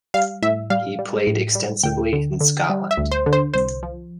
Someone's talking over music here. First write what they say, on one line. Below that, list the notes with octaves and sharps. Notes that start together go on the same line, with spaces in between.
He played extensively in Scotland.
G3 F5
A2 E5
G3 F5
G3
A2
G3
D2 G5
D3
D3
G3
E5
D2
C5
D3
C5
C2 C5
F3